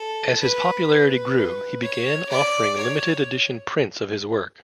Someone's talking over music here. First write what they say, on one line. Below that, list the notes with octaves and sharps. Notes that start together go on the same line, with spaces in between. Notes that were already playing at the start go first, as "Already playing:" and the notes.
As his popularity grew he began offering limited edition prints of his work.
Already playing: A4
B4
B4
C#5
D5
C#5